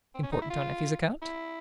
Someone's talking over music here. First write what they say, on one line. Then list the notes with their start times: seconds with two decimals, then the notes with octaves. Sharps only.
"Important on Effie's account?"
0.14 C4
0.23 C#4
0.32 D#4
0.42 E4
0.50 F4
1.22 E4